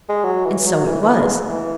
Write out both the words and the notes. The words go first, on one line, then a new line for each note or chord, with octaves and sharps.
And so it was.
G#3
F#3
E3
E3
F#3
E3
E3
G#3
E3